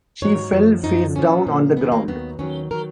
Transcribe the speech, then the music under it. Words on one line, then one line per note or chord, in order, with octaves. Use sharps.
She fell face down on the ground.
G#2 F#3 C#5
F#2 F3
F#2 F3 D#4
A#2 F3 C#4
A#2 F3
D#2 D#3 F#3 B3
A#3
D#2 D#3 F#3 B3
D#2 D#3 F#3 C#4
D#3 F#3 A#4